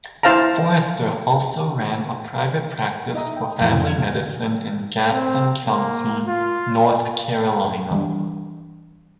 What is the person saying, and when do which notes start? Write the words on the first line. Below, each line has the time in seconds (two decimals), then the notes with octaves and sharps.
Forrester also ran a private practice for family medicine in Gaston County, North Carolina.
0.23 E4 C5 F5 A5 A#5
3.14 D#4 D#5 E5 A#5 D#6
3.36 G5
3.61 F2 A2 E3
3.85 F5 G#6
5.11 C4
5.65 A#3
6.27 F4
7.91 E3 G3 A#3 D4